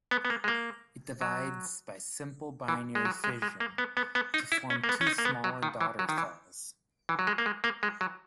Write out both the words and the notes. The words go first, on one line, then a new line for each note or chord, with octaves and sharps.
It divides by simple binary fission to form two smaller daughter cells.
B3
B3
A#3
G#3
A#3
F#3
E3
G#3
F#3
G#3
G#3
A#3
B3
B3
B3
D#4
E4
C#4
A#3
B3
C#4
D#4
A#3
B3
F#3
D#3
E3
F#3
D#3
E3
E3
F#3
G#3
A#3
G#3
A#3
G#3
F#3